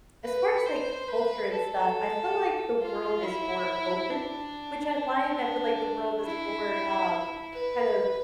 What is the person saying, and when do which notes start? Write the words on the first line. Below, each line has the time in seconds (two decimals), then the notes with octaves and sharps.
as far as, like, culture and stuff, I feel like the world is more open, which I like; I feel like the world is more, um, kind of
0.24 B4
0.66 C5
1.09 B4
1.52 A4
2.81 F4
3.23 E4
4.10 D4
4.95 D4
6.24 E4
7.53 B4